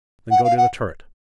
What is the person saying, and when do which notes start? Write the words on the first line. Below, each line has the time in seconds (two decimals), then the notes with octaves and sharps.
Then go to the turret.
0.30 F#5
0.43 F5
0.57 F#5